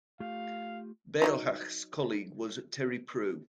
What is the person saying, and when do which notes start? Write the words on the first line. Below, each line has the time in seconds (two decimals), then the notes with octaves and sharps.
Bailhache's colleague was Terry Prue.
0.20 A3 F4 G4 F5
1.22 F#3 D4 D#4